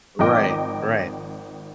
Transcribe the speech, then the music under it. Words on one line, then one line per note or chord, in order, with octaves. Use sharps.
Right, right,
G#1 F3 D#5 G5 D6